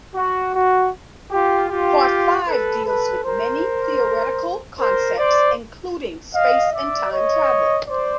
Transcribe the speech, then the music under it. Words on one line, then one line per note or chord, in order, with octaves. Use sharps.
Part Five deals with many theoretical concepts, including space and time travel.
F#4
F#4
F4 G4
F4 G4
A4 B4
A4 B4
A#4 C5
A#4 C5
C5 D5
D#5 F5
D5 E5
C#5 D#5
C5 D5